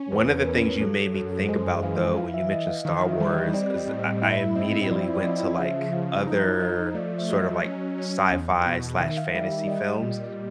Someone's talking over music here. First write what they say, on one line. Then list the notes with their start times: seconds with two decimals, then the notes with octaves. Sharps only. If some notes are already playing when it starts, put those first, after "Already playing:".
One of the things you made me think about, though, when you mentioned Star Wars is I I immediately went to, like, other sort of, like, sci-fi/fantasy films,
Already playing: C#4
0.12 E2 B4
0.41 A#4
0.46 E2 B4
0.81 F#3 A4
1.14 F#2 A4
1.32 A4
1.49 G#3 C5
1.83 E3 F5
2.17 E3 F5
2.34 E5
2.51 E3 D#5
2.68 F5
2.85 D#3 F5
3.09 E5
3.20 G3
3.30 D#5
3.54 C4 D5
3.76 D#5
3.87 A2
3.99 D#5
4.22 E4 E5
4.55 C4 D#5
4.90 F3 D5
5.14 D5
5.24 F3 D#5
5.58 C#3 E5
5.92 F3 F5
6.27 D#4
6.60 F3 D#5
6.95 A3 D5
7.18 E5
7.29 F#3 D#5
7.64 C#4
7.98 C#4
8.31 E2
8.66 B2
9.00 D#3 E5
9.17 F5
9.34 G3 E5
9.52 E5
9.68 G3 D#5
10.02 A#2